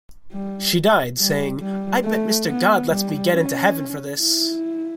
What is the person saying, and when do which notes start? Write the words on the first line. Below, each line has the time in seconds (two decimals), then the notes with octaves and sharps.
She died saying, 'I bet Mister God lets me get into heaven for this'.
0.32 G3
1.18 G3
1.60 G3
2.04 A3
2.47 B3
2.90 G3
3.33 C#4
4.19 E4